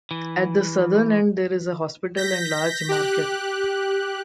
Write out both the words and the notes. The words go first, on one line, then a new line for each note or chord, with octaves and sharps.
At the southern end there is a hospital and large market.
E3
G6 A#6 B6
G4 F#6